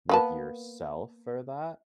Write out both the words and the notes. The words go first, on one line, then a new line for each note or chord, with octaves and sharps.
with yourself for that
A#3 B3 A5